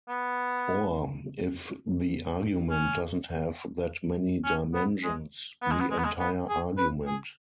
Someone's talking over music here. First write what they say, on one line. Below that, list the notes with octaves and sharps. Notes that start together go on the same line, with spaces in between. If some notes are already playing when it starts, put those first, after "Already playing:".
Or, if the argument doesn't have that many dimensions, the entire argument.
B3
C#4
C#4
B3
G#3
B3
G#3
B3
G#3
B3
G#3
B3
G#4
B4
G#4